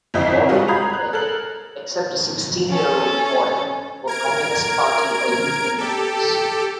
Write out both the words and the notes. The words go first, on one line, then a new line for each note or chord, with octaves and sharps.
All of the dead, except a sixteen-year-old boy, were Communist Party or union members.
G#1 F2 C3 E4 D#5
G3 G#3 F4 F#4
A#5 B5 D#6 G6 G#6 C7
F#6
A4 A#4 F#7
C#4 A4
A#4 G#6 D7
G4 A4